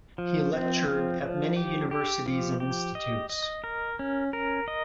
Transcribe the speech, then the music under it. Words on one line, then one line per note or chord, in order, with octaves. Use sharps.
He lectured at many universities and institutes.
F3
C4
F3
F3
G4
G4
F3
G4
D#5
D#5
A#4
C#4
A#4
D#5